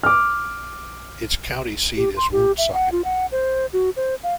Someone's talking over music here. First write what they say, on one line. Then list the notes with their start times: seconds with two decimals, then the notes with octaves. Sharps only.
Its county seat is Woonsocket.
0.03 D6 F6
1.97 G4
2.17 C6
2.32 G4
2.58 E5
2.73 F#5
2.92 F4
3.04 F#5
3.32 C5
3.73 F#4
3.96 C5
4.23 F5